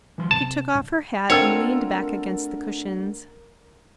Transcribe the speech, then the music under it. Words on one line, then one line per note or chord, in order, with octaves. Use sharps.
She took off her hat and leaned back against the cushions.
E3 F#3 C6
C3 A5
A3 C4 D4 F4 A#4 C#5 F#5 E6